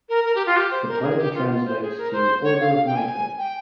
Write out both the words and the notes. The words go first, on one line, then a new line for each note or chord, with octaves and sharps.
The title translates to "Order of Knighthood".
A#4
A#4
G4
F4
G4
C5
A#4
G#4
G4
F4
F4
C5
G#4
A#4
C5
C#5
F5
F5
G5
G#5
G5